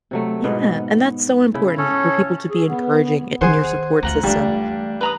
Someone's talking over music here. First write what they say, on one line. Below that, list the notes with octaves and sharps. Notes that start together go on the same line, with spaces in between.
Yeah. And that's so important for people to be encouraging i in your support system
C3 F#3 A3
G#2 B2 B3
C#3 E4
C#4 A4 C#5
G#4
B3
D#3 G#4 C5 F#5 G#5
D2 D#3 F4 F#5 A#5
G2 E3 G3 A3 D4
B4 A#5 D#6